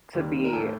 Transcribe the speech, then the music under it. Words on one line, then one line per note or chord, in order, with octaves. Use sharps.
to be
D#2 D#3 G3 A#3
A#4
A1 A2 A3 A4